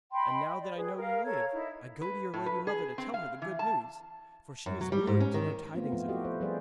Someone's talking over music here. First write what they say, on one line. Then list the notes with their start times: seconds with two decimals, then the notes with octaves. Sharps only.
And now that I know ye live, I go to your lady mother to tell her the good news, for she is weary to know tidings of you.'
0.12 D#5 G5 B5 C6
0.60 D5
0.76 G#4 B4
0.98 A#4 F5
1.25 A4 C#5 A#5 G#6
1.52 D#4 E4
2.02 B4
2.34 A2
2.46 B4
2.67 G#4
2.98 C4
3.14 F5
3.42 E3
3.59 A5
4.66 F#2
4.81 F#3
4.92 G3
5.07 G#2
5.20 C#4
5.34 D#3
5.75 A3 B3 C4 F4
5.92 F3 F4
6.08 E4 F#4 G4 A4 D#5
6.25 C5
6.40 F3 G3 G#4 B4 C5 D5